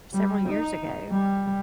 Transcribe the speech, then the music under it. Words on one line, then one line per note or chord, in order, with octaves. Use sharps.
several years ago,
G3
D#4
G3